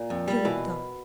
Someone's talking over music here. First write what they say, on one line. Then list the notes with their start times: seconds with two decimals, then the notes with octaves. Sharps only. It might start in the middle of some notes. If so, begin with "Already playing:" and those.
She looked up.
Already playing: A#2
0.10 F2
0.28 G3
0.45 B2 E3